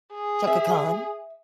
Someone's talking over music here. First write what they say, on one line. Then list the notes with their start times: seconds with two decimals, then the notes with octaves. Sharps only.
Chaka Khan.
0.13 G#4
0.47 E5